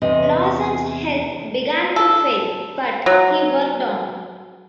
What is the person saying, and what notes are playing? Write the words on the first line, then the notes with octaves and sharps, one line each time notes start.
Lawson's health began to fail, but he worked on.
E2 C3 D#5
A4
F#3